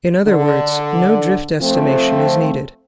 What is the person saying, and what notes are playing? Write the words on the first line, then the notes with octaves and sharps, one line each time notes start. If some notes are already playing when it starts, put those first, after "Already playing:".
In other words, no drift estimation is needed.
D3
F3 A3 C4